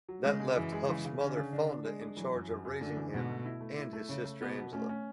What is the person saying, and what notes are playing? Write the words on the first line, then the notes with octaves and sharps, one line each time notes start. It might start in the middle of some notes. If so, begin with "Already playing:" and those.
That left Huff's mother Fonda in charge of raising him and his sister Angela.
F#3
C#3 G#3
G#3
F#2 E3
G#3
C#3 E3
C#3
D3 C#4
C#3
D3 D4
D4
G#3
D4
E3 F#3
F#2
F#2
F#2
D3 A3
E3
G#2 B2
A3
E4
A3
E4
A3
C#3 A3
A3
B2 B3
B2
A3 C#4
C#4